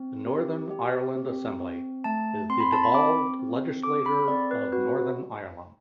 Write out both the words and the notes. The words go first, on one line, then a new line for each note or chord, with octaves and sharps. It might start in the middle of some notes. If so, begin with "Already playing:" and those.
The Northern Ireland Assembly is the devolved legislature of Northern Ireland.
Already playing: C4
G4
G4
C4
C4
A3 A5
C4 C6
B5
A5
B5
C4 D6
C4
A4 D6
B5
C4 D5
B4
F#4 B4